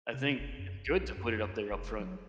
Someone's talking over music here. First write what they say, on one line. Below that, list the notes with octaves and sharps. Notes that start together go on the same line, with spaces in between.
I think it's good to put it up there upfront.
C3
F#1
F#2
B1
F#2
F1
F#3